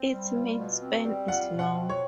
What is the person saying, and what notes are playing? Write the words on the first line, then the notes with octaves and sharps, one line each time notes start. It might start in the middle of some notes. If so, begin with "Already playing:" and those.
Its main span is long.
Already playing: C4
G3
F4
B2
C4
G3
F4 F#5
B2
F#5
C4
C#5